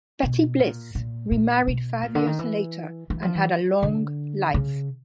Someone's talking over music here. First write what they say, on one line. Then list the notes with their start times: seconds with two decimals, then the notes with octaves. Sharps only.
Betty Bliss remarried five years later and had a long life.
0.23 B2
0.59 A#2
0.95 A#2
1.31 A#2
1.67 B2
2.03 A#2
2.15 D3
2.26 D#3
2.39 E3
3.10 E3
3.22 F3
3.35 E3
3.83 D3
4.54 C#3